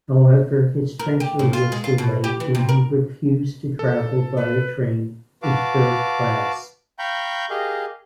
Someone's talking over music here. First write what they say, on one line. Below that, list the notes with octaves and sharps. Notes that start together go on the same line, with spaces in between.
However, his transfer was delayed when he refused to travel via train in third-class.
A#4
G4
A2
F4
G#3
F4
B2
G4
E3
C3
A#4
A4
B4
F#4 B4 F5 A5 D6
F5 G5 A#5 B5 C#6 G6
G4 G#4 A#4 D#5 F5